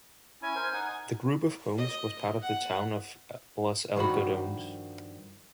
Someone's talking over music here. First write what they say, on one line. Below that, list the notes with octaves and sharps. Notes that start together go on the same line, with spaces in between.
The group of homes was part of the town of Los Algodones.
C#4 E4 G#5
A#4 C5
D#4 F#5
D#5
F#5
G2 D#3 F3 F#4 B5